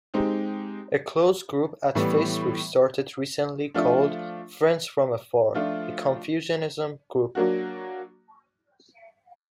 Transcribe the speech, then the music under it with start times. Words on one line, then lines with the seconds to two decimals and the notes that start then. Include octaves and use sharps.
A closed group at Facebook started recently called, Friends from Afar: A Confucianism Group.
0.14 G#3 C4 D#4 G4
1.95 A2 E3 G3 B3
3.74 F3 A3 D4 F4
5.54 F3 A3 D4 F4
7.35 F#3 A#3 D4 F#4